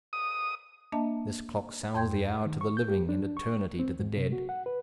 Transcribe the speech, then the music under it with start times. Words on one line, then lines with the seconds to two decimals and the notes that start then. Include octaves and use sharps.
This clock sounds the hour to the living, and eternity to the dead.
0.13 D#6
0.92 A#3 D4 D#5 E5 A5
1.95 F2 G5 C6 G6 G#6
2.46 D#3
2.61 C#6
2.77 G6
2.88 G4
3.09 D4
3.37 C#6
3.79 C4
3.99 G#2
4.17 C3
4.32 F#4
4.49 F#5
4.66 B4